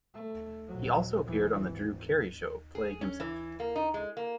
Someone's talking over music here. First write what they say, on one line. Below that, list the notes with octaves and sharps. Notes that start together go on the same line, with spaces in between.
He also appeared on "The Drew Carey Show," playing himself.
A3
A#1 F#3
D#2 E3
G#1
G#4
C#4
E3
A#3
D#4
G#3
A#3